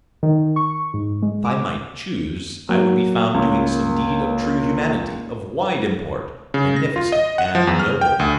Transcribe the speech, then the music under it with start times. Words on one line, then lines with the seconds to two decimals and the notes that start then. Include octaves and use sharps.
If I might choose, I would be found doing some deed of true humanity, of wide import, beneficent and noble.
0.23 D#3
0.56 C#6
0.94 G#2
1.22 G#3
1.45 D6
2.69 F#3 A#3
3.34 C#2
6.54 C#3
6.76 A#6
6.96 F4
7.12 D#5
7.38 F#5
7.55 F3
7.67 E2
7.79 F6
8.01 G5
8.20 D2